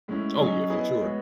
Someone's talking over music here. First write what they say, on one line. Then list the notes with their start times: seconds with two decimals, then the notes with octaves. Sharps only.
Oh, yeah, for sure.
0.08 A2 G#3 C#4 E4
0.39 F#3 C#4 G#4 D#5
0.70 B3 E4 G#4 D#5
1.01 A2 G#3 B3 F#4 C#5